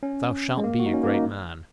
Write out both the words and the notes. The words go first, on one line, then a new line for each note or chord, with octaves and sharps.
Thou shalt be a great man.
C#4
G#3
A#3
F#4
D#4
C#4
A#3
D#4